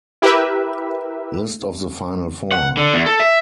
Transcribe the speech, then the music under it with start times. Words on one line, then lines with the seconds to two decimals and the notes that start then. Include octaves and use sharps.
List of the final four.
0.22 E4 G4 A#4 B4 E5
2.52 F#5
2.77 D3
2.94 E2
3.06 A4
3.20 E5